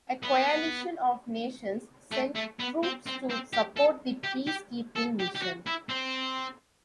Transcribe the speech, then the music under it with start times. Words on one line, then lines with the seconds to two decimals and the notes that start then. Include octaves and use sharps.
A coalition of nations sent troops to support the peace keeping mission.
0.23 B3
2.12 A3
2.35 A3
2.59 B3
2.83 C4
3.06 C4
3.30 C4
3.53 G4
3.77 A4
4.24 G4
4.47 G4
4.96 A4
5.19 G4
5.35 G4
5.42 F#4
5.66 E4
5.89 C4